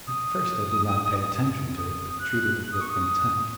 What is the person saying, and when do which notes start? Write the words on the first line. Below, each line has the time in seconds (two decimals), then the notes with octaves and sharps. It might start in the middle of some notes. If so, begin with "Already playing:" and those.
At first I did not pay attention to it, but treated it with contempt.
0.07 D#6
1.78 D#6
2.19 F#6
2.62 F#6
2.72 D#6
2.81 C#6
2.90 D#6